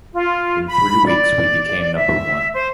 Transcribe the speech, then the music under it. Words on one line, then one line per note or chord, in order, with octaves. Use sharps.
In three weeks, we became number one.
F4
B5
D5
E5
C5